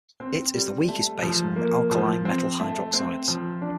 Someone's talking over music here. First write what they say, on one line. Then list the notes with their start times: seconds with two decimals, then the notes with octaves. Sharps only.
It is the weakest base among the alkali metal hydroxides.
0.20 C4
0.54 G3
0.88 A3
1.22 F3
1.56 A#3
1.91 F3
2.25 C4
2.60 A3
2.93 C4
3.28 F3
3.61 D4